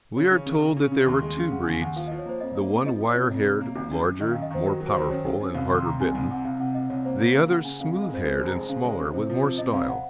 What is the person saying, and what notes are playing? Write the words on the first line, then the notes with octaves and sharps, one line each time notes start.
We are told that there were two breeds: the one wire-haired, larger, more powerful, and harder bitten; the other smooth-haired and smaller, with more style.
C#3 C#5
C#4 C#5
C#3
C#3
C#4
C#3
D#2 C6
C6
G#3
C6
C#4 F5
C#3 F#5
G#5
D#2
G#5
D#2 F#5
F3 F5
D#5
F3
C#5
A#3 C5
F2 D#5
A#3
F2
F3 D#5
F3
C#5
C3
F2
C3
A#3
G#1
F#2
F#2
D#3 D#5
F5
F#2
D#5
D#3 C5
F#3 A#4
F#3
C5
D#3
F#2 C#5
F#2
F#2
C2 F5
D#3 C6
C3 A#5
C2 G#5
C2 G#5
C3 F#5
C2 F5
C3 F#5
C3 D#5
C2 C#5
A#3 C5
A#3 C#5
C#3 F5
C#3 F#5
C#3 G#5
F2 F5
F5
G#3
D#5
F2 C5
G#3 C5
F1
A#5
G#3
C#3 F5
G#3 C#5
D#5
C#3
C3 C5
F3
C3
C3 D#5
F2 F5
F#5